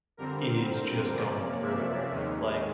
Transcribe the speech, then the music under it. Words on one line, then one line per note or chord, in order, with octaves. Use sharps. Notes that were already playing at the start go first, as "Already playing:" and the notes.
is just going through it right now, like
F2 D3 G3 C4 A#4
C5
C3 F3 A#3 C#4 D5
E5
D#2 D#3 G#3 C#4